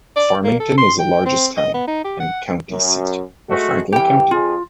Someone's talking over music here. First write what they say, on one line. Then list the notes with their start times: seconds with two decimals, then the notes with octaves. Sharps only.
Farmington is the largest town, and county seat, of Franklin County.
0.16 D5
0.44 A#3
0.60 A4
0.78 C6
0.99 G5
1.26 C4
1.57 D#5
1.74 B3
1.88 D#4
2.05 G4
2.20 F#5
2.69 F#2
3.50 G#3 A3 F#4
3.93 C2 E3 G4 G5
4.31 F2 F4 G#4